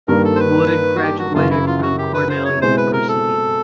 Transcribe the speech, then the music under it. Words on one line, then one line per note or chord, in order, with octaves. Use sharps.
Wood graduated from Cornell University.
G2 D#3 G3 A#3 A#4
A4
C5
B4
F#4
G4
F#4
F#2 C#3 E3 F4
E4
F4
F#4
G4
B4
C5
C#5
B2 G#3 C4 E4 C5
B4
A#4
A4